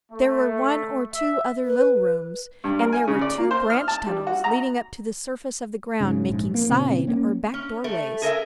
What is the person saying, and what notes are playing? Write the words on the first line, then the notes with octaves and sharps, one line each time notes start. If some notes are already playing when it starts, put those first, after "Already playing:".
There were one or two other little rooms, and there were two branch tunnels leading up to the surface of the ground, making side or back doorways.
A3
E5
B4
G2
A#4
G#5
C#3
D5
A#3
C5
F6
A5
G3
F#4
A#5
G#2 C#3
A#1 G#2
A#3
A#2 C#3 C4
A#3 C#4
C#4
A3
G#4 A#4 D#5 E5